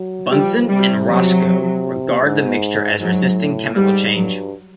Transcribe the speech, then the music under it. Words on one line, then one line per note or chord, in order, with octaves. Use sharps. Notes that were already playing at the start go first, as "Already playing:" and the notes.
Bunsen and Roscoe regard the mixture as resisting chemical change.
Already playing: F#3
F3 G3
C3 G3
F#3
G#2
G#2 F#3
A2
G#2 G3
G2 F#3